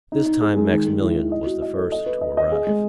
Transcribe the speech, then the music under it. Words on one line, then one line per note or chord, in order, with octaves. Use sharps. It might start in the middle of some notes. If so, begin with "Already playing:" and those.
This time Maximilian was the first to arrive.
D#4
D#4
G#4
G#3
D#3
G#3
E4
E4
D#5
F#4
D#5
A4
D#5
B4
D#5
D#5
G#4
G#3